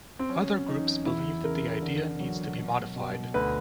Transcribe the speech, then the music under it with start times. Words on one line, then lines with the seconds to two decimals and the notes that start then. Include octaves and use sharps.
Other groups believe that the idea needs to be modified.
0.19 C4
0.29 F#3 C#4
0.68 E2 D#4
1.06 E2 E4
1.44 C#3 A#4
1.82 D3
2.20 F#3
2.58 B2
2.96 B2
3.34 D2 B4